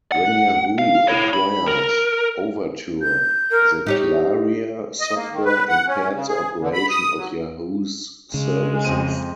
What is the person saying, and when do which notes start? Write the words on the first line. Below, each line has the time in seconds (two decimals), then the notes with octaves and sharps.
When Yahoo acquired Overture, the Claria software impaired the operation of Yahoo's services.
0.12 F#5
0.78 F5
1.08 E4 C#5
1.33 B5
1.67 A#4
3.02 G6
3.51 A#4
3.86 D#4 G4 C#5
5.00 D#5
5.15 A#3
5.31 D#3
5.45 B4
5.69 F#5
5.87 C#4
6.13 C#3
6.28 G#4
6.61 D3
6.73 B5
6.90 D#6
7.17 F#3
8.34 C#3 G#3
8.85 F2 C4 D#7